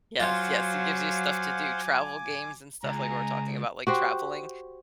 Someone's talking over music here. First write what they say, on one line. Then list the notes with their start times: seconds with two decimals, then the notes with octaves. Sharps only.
Yes, yes, he gives you stuff to do, travel games and stuff like, we're talking about, like traveling.
0.20 F#3 F4 C5 F5 F#5 G#5 D6
2.84 C#2 G#5 A#5
3.87 F#4 G4 C5